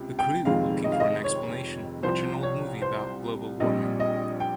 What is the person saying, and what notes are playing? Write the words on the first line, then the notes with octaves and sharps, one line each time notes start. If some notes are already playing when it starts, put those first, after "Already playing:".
The crew, looking for an explanation, watch an old movie about global warming.
Already playing: C#2 C3
G5
F1 F2 D#3 G#3 C4 F5
D#5
F5
D#5
C#5
C2 C3 F3 C5
C#5
C5
A#1 A#2 G3 C4 D#5
D#5
G5